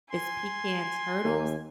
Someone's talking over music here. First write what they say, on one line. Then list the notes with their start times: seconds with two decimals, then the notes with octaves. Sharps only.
it's Pecans Turtles.
0.12 G#5 C6
1.24 D#2